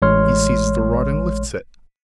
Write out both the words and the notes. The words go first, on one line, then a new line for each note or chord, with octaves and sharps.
He seizes the rod and lifts it.
A1 G#3 C#5 C6 F6